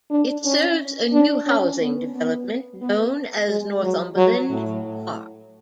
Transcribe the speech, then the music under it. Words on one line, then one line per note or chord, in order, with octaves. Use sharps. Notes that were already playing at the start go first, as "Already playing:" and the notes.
It serves a new housing development known as Northumberland Park.
D4
C#4
D4
C#4
B3
B3
B3
G#3
F#3
F#3
A2